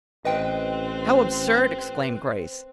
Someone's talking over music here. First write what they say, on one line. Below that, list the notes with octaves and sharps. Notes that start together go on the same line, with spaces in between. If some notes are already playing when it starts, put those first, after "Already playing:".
"How absurd!" exclaimed Grace.
A1 C4 B4 D#5 G5